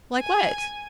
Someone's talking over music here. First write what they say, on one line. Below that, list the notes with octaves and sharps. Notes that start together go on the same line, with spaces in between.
"Like what?"
G#5